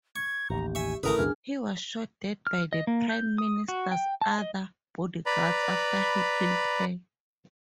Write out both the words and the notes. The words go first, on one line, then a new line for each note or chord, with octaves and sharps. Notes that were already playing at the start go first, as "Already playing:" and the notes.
He was shot dead by the Prime Minister's other bodyguards after he killed her.
C#6 G#6
A1 D#2 G4 A#5
E5 G#5 C#6
G#1 C#3 A3 E4 A#4 B4 D#6
C#2 F#2 B2 D4 G#4 G#5 F6
F6
D#5
A#3
G6
D#6
F#4
G5
A5
D#5
B4 D5 A#5 B5